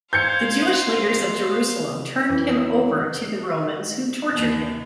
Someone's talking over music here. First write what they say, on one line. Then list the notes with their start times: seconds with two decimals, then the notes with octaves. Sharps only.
The Jewish leaders of Jerusalem turned him over to the Romans, who tortured him.
0.13 C5 F5 G6 G#6 C#7
2.30 F2 E3 F#3
4.31 D#2